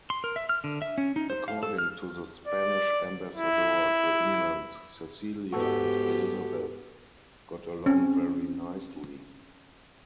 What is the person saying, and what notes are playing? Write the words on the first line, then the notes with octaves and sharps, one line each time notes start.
According to the Spanish ambassador to England, Cecilia and Elizabeth got along very nicely.
C6
A#4
E5
F6
D3
E5
C#4
D#4
C5
F5
A4
F6
D5
E4
G#2 B3 F#4 G4 A4
C4 C#4